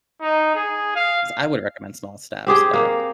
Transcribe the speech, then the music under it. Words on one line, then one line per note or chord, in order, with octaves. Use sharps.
'Cause I would recommend small steps, but
D#4
G#4
F5
C4 G4 G#4 G5
A#3